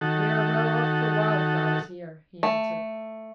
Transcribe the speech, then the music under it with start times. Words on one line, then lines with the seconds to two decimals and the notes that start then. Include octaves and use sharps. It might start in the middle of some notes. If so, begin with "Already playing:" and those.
"We are well off for wild flowers here," he answered.
0.01 D#3 F#4 A4
2.43 A3